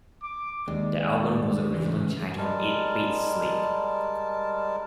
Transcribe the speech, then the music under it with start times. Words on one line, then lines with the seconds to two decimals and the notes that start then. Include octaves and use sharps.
The album was originally titled "It Beats Sleep".
0.23 D6
0.68 D#2 G#3 D5
1.74 C#3 E3 G#3
2.38 G3 G#3 A#4 A5